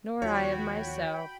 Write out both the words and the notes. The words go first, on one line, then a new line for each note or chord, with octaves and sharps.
'Nor I of myself.
D#2 D#3 F3 F#4 C#5 G5 B5